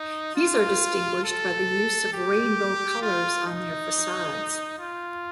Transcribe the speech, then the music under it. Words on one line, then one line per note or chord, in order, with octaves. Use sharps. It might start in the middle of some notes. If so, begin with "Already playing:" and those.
These are distinguished by the use of rainbow colors on their facades.
Already playing: D#4
F4
A4
G4
F4
D#4
F4